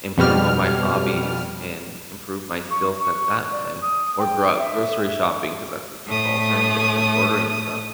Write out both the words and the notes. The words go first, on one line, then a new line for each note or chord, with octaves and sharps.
improve on my hobbies, and improve my skill set that way, or grow out grocery shopping 'cause that's a cheaper alternative than ordering stuff.
F2 B2 G3 F6
C#6
C#6
D5
D#6
G5
E5
A2 A3 D#6